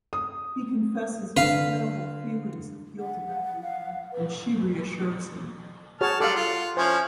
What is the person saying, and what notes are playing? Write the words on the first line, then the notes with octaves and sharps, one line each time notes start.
He confesses his terrible feelings of guilt about the event, and she reassures him.
D#6
D3 B4 F5
F#5
F5
B4
F#4 G#4 C#5 A5 F6
F#3 G3 A4 D5 F5 F#5 C6
F4
F3 C#4 E4 C5 C#5 G#5